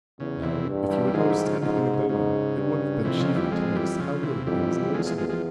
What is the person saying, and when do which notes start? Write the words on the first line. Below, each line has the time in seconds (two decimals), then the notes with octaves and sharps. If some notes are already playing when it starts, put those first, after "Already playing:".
Now if you had noticed anything about him, it would have been chiefly to notice how little he was noticeable.
0.19 E2 C#3
0.43 C3 E3
0.67 G2
0.90 E3 G3
1.14 G#2 F3 G#3
1.30 E3 G3
1.46 C#3 F3
1.61 G#2 C#3 F3
1.78 C3
1.93 C#3
2.09 G#2 C#3
2.57 G2
3.04 F2 C3 E3
3.20 C#3 F3
3.35 E3 G3
3.52 F2 F3 G#3
3.75 E3 G3
3.99 C#3 F3
4.23 C3 E3
4.47 F2 E3 G3
4.94 E2 F3 G#3
5.06 F3 G#3
5.18 F3 G#3
5.29 F3 G#3